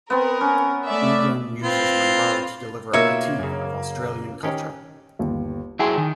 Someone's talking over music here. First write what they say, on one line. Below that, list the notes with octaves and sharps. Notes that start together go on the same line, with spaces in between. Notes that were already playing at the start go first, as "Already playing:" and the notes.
Egan uses Munroe to deliver a critique of Australian culture.
B3 C4 A#4
C#4
A3 D5 E5
C4 F4 B4
B2 A#3 D#4 F4 C#5 E5
F#2 C#3
D#3 C#4 G4
G1 D#2
F#3 E4 G#4 G5 A5 C6
D#3